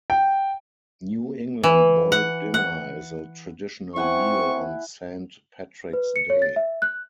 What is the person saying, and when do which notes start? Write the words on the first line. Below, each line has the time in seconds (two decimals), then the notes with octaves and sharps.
New England boiled dinner is a traditional meal on Saint Patrick's Day.
0.10 G5
1.64 E3
2.12 F#5
2.54 F#5
3.96 C4 E4 F#5 G#5 C#6
5.93 B4
6.16 C#7
6.30 C#5
6.42 A6
6.56 E5
6.82 F#6